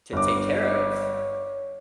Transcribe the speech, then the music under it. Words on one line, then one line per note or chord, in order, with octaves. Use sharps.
to take care of
G1 C#5 D6